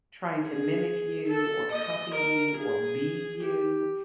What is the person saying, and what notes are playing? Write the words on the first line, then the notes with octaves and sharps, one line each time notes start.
trying to mimic you or copy you or be you,
G#4
A4
D#5
A#4
G#4
G4